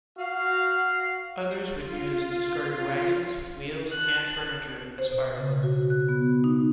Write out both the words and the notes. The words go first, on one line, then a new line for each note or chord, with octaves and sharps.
Others would use discarded wagons, wheels and furniture as firewood.
F#4 F5
F4
A5 F#6
C5
B2
C#3
F#4
F#6
B3
D#4